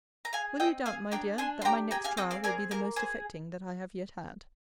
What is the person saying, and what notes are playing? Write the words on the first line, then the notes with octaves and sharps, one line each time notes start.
Will you doubt, my dear, that my next trial will be the most affecting that I have yet had?
A#5
G#4 F5 G#5
C4 D#5 G5
G#4 F5 G#5
D4 G5 A#5
D4 G#5 C6
C6
G4 G5 A#5
G#4 G5 A#5
F5 G#5
C4 D#5 G5
D5 F5
G#4 A#4 D5
A#3 A#4
G#4 C5